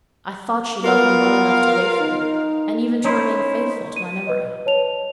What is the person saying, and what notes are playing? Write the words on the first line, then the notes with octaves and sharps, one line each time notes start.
I thought she loved me well enough to wait for me, and even to remain faithful to my memory.
B3 F4 A#4 F5
D#4
C#4 D#4 E4 C5 C#5
D#7
B4 D#5
C#5 A5 F7